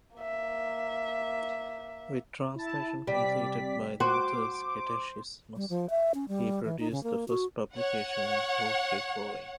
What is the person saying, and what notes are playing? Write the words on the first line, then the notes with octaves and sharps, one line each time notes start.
With translation completed by Luthers Katechismus, he produced the first publication in Khoekhoe.
A#3 E5
E4 A5
C3 G3 D5 B6
F#4 C5 D6
G3
F3
E5
C#4
G3
E3
D#4
C#3
A#3
F#4
C#5 F#5